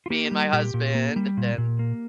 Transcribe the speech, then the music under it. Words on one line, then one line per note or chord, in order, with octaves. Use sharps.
me and my husband, and then,
F4
A#3 G4
G3
A#2 G4
A#2
A#3
G3
A#2
A#2
A#3